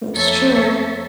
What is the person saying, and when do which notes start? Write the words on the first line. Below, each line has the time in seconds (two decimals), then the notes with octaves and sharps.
that's true.
0.13 F2 A#3 A4 C#5 E5